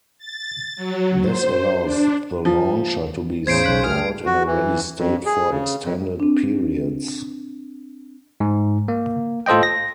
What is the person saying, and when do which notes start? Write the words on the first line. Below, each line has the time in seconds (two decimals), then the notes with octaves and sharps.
This allows the launcher to be stored in a ready state for extended periods.
0.18 A6
0.76 F#3
1.22 C5
1.82 D4
2.45 F3
3.47 E2 A2 C#3 C5 G#6 C7 D7
3.64 B1 F#6 B6
3.84 D2 G#4 F6
4.26 F#4
4.47 E3
4.98 F2
5.26 G#4
5.50 C#3
5.83 F2
6.20 C4 D4
8.40 G#2
8.88 A#3
9.46 F4 A4 C5 D#5 G5
9.63 A#6